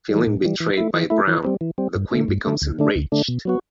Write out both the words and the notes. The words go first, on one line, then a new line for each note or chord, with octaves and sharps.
Feeling betrayed by Brown, the Queen becomes enraged.
E3 G3
A2
E3 G3
E3
A3 E4
E3
A3 E4
E3
G3 C4
E3
G3 C4
G2
D3 A3
G2
D3 A3
D2
D3 A3 D4
D2
D3 A3 D4
B2
F#3 B3 F#4